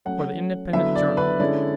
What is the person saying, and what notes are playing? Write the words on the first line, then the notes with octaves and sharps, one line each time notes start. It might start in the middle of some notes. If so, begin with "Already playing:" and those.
For the Independent Journal.
F#3 A3 C#4 F#5
D3 F#3 B3 E4 E5
D5
B4
D3 G#3 C#4 E4 D5